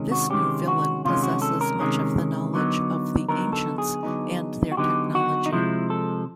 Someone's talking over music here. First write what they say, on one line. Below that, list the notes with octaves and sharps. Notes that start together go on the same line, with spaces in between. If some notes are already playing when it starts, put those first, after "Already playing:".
This new villain possesses much of the knowledge of the Ancients and their technology.
Already playing: C3 D#3 G#3 C#4
F#4
C3 D#3 G#3 C#4 G4
F#4
C3 D#3 G#3 C#4 F4
F#4
A4
A#4
C3 D#3 G#3 C#4
D3 F#3 B3 D#4
D3 F#3 B3 D#4 A#4
A4
G#4
D3 F#3 B3 D#4
F#4
D3 F#3 B3 D#4 G4
F#4
D#4
C3 F3 G#3 E4
A4